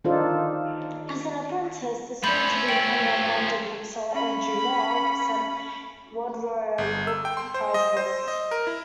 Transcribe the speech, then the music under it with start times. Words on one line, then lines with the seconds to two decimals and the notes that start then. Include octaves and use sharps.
As an apprentice, the soon-to-be prominent London bookseller Andrew Millar sent Wodrow book price-lists.
0.04 D#3 D4 D#4 F4 A4 C5
2.24 F3 A3 C#4 B5 G6
2.69 A4 G5
4.11 C#4 B5
6.78 G1
7.07 E6
7.25 G5
7.37 C6
7.54 C5
7.74 D#5
7.97 C5
8.28 D#5
8.51 A#4
8.67 E4